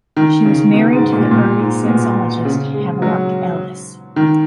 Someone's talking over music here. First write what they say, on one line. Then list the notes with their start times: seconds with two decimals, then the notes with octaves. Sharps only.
She was married to the early sexologist Havelock Ellis.
0.17 D#3
0.45 C#3
0.74 B2
0.93 G#2
1.12 A#2
1.31 A#2
1.59 G#2
1.83 B2
1.88 A#2
2.45 C#3
2.74 G#3
3.02 F#3
4.16 D#3